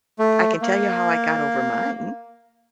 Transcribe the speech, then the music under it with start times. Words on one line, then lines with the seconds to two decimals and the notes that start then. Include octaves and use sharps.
I can tell you how I got over mine.
0.19 A3
0.61 A#3